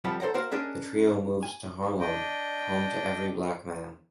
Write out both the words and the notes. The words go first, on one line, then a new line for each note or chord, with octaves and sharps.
The trio moves to Harlem, "home to every black man".
F2 F3 G3 F#5 A5 B5
A4 C5 D5 F#5 A#5
F#4 A#4 C5 F5
C#4 D4 G#4 A#4 D#5
G#5
D4 D#5 G5